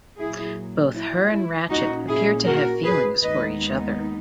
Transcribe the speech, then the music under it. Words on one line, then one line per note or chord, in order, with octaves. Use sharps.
Both her and Ratchet appear to have feelings for each other.
A#2 F#3 A#3 E4 G#4
E4
E4
A#2 A#3 C#4 D#4 F#4
E4 G#4
F#4 A#4
G#4 B4
D#2 D#3 G#3 B3 D#4 B4 D#5